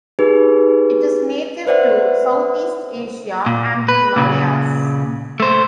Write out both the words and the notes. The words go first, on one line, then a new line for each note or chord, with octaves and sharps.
It is native to Southeast Asia and the Himalayas.
D#4 G4 G#4 B4
B4 C5 D5 E5 F#5
A#2
B4
A#2 C#3
A3 C5